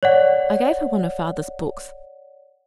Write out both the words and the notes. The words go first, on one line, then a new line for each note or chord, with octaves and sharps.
I gave her one of father's books.
C#5 D5 F#5